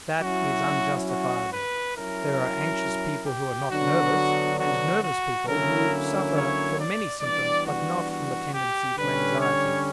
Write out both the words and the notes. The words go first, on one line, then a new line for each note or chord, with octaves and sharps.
That is unjustifiable; there are anxious people who are not nervous, and nervous people who suffer from many symptoms, but not from the tendency to anxiety.
F#3 C#4 E4 F#4
F#4
B4
F#3 C#4 E4 A#4
G4
D3 F#3 B3 D4 F#4
F#4
F#4
D3 F#3 A#3 C#4 E4 A#4
C#5
D5
E3 G3 B3 D4 D5
F#4
F#4
G4
D3 G3 C#4 B4
C#5